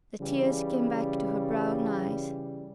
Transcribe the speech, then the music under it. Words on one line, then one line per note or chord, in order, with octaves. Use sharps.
The tears came back to her brown eyes.
C#3 E3 G3